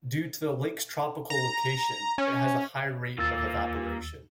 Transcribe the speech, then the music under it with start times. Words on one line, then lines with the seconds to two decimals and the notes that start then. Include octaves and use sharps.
Due to the lake's tropical location, it has a high rate of evaporation.
1.30 A#5
2.18 C#4
3.18 D#2 A#3 F4 E6 A6